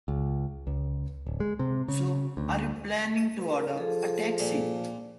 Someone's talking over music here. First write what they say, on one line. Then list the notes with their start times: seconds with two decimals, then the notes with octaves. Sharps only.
So, are you planning to order a taxi?
0.08 C#2
0.67 C#2
1.27 D1
1.40 G#3
1.59 C3
1.88 C#3
2.37 D2
3.78 F3 G#4 A4
4.40 A#2